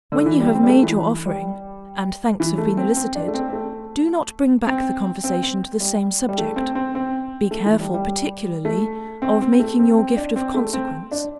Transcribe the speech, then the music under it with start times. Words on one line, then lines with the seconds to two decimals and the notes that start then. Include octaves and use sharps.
When you have made your offering, and thanks have been elicited, do not bring back the conversation to the same subject; be careful, particularly, of making your gift of consequence.
0.12 D3
0.26 E3
0.40 G3
0.55 C4
0.64 G3
0.69 A3
0.83 E3
0.97 E3
1.26 G3
2.40 E3
2.58 A3
2.77 C4
2.96 C4
3.15 D4
3.28 A3
3.34 C4
3.49 C4
3.53 A3
4.67 C4
5.24 C4
5.43 C4
5.80 G3
6.29 G3
6.38 A3
6.56 C4
6.75 C4
6.95 C4
7.51 A3
7.66 E3
7.80 G3
7.94 G3
8.08 G3
8.65 A3
9.22 C4
9.41 C4
9.60 A3
9.79 C4
9.98 C4
10.17 D4
10.36 C4
10.54 A3
10.73 C4
11.11 D4